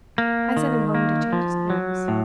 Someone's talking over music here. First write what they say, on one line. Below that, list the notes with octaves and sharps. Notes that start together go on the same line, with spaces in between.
I sent him home to change his clothes...
A#3
D#3
A#3
F3
F#3
A2